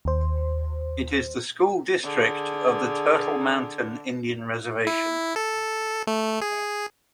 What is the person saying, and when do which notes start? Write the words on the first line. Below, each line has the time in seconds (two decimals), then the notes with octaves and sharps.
It is the school district of the Turtle Mountain Indian Reservation.
0.05 D#2 C5
2.03 D3 G#4
4.87 E4
5.36 A4
6.07 A3
6.42 G#4